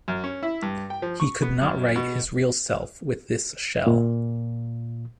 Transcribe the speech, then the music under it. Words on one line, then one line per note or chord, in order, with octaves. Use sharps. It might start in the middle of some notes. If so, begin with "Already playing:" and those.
He could not write his real self with this shell.
F#2
C#4
E4
G2
G5
F3
C#6
B3
F#2
B2
A#2